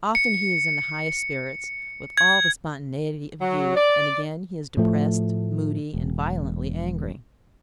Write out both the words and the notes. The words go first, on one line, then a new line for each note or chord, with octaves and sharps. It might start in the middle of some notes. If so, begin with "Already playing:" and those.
Often he is in the highest spirits, with all the spontaneity of youth, and again he is depressed, moody, and violently angry.
C#7
G#6
F#3
D5
A2 F3 A3
E1